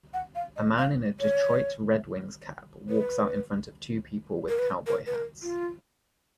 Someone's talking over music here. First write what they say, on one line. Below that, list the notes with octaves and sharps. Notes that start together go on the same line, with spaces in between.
A man in a Detroit Red Wings cap walks in front of two people with cowboy hats.
F#5
F5
D#5
F5
C#5
B4
A#4
B4
A#4
B4
A#4
F4